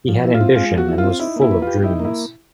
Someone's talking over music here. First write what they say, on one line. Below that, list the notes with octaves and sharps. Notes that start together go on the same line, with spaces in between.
He had ambition and was full of dreams.
F3
E4
F4
C4
G#3 F4
F3
F#4
E4
F4
C4
D#4 E4
A#3
E4
B4
F4 G4
D#4 E4
A#3
E4